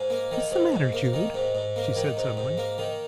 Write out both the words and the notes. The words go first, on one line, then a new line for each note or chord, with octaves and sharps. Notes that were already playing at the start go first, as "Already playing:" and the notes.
"What's the matter, Jude?" she said suddenly.
Already playing: G#2 F5 G#5
A#3
D#3
G#2
G#2
A#3
D#3
G#2
G#2
A#3
D#3
G#2
G#2
A#3
D#3